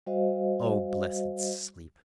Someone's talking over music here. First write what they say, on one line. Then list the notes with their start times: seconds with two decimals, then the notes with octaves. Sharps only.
O blessed sleep!
0.06 G3 F#4 C5 D#5 F5